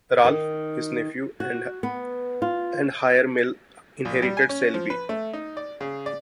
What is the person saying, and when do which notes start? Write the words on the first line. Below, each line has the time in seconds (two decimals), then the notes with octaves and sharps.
Ralph, his nephew and heir male inherited Saleby.
0.25 D#3
1.40 F#4
1.83 B3
2.42 F4
4.05 A#1
4.22 G3
4.37 G#5
4.49 C#4
4.74 F3
4.90 B4
5.09 A3
5.33 D#4
5.57 D5
5.81 C#3
6.06 D5